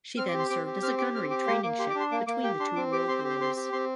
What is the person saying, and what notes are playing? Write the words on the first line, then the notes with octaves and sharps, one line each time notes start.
She then served as a gunnery training ship between the two world wars.
C4 F6
D6
G4
C6
C4 D6
G4
C4 F6
G4 D6
C4 F6
G4 D6
A#3 C6
A#3 D6
G4 C6
D6
D4
C6
A#3 D6
A#3 D6
G4 G5
D4 C6
C4 D6
G4 D6
C4 C6
C5
G4
C5
C4 C6
G4
C4 C6